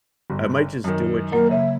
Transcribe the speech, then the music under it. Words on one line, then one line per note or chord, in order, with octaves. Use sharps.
I might just do it j
G1
F#2 D#3
F#3 A#3 A#4
C#3 E5